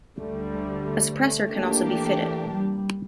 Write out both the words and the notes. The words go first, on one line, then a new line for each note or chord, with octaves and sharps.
A suppressor can also be fitted.
D2 D3 G3 A3
A3
A3
A3
E3 A#3 D4 G4
A3
G3